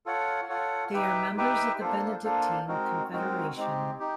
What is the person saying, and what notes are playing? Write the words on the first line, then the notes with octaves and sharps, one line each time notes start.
They are members of the Benedictine Confederation.
F4 A4 C#5 F#5
F4 A4 C#5 F#5
D#4 G4 B4 E5 G5
D#4 G4 B4 E5 G5
A#3 D4 F4 A4 C5
A#3 D4 F4 A4 C5
G#3 C4 D#4 F#4 A#4
G#3 C4 D#4 F#4 A#4
G#3 C4 D#4 G4
D#4 G4